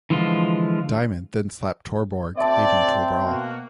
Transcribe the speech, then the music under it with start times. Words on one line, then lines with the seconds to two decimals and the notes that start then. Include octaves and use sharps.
Diamond then slapped Torborg, leading to a brawl.
0.10 D3 E3 F3 G#3 F4
2.37 D2 C4 D5 E5 A5
3.24 B2 A#3 F#4